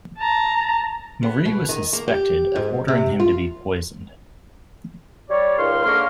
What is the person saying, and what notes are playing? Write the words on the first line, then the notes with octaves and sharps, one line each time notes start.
Marie was suspected of ordering him to be poisoned.
A5 A#5
B3
B2
D#3
A#3
G4
G#2
C3
F4
G3 C#5 D5
C#2 D#3 F5 C6
G#2 D3 A#3 C#5 C6 F6